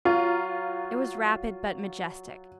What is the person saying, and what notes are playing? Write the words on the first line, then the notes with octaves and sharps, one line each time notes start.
It was rapid but majestic.
F#3 F4